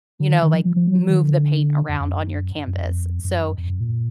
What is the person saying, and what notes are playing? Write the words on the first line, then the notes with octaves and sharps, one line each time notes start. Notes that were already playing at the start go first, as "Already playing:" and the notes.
you know, like, move the paint around on your canvas. So,
D3
D#3
D#3
F3
F3
F3
F#3
F3
D#3
D3
F2
F2
F#2
F#2
F2
F#2
F2
F#2
A#2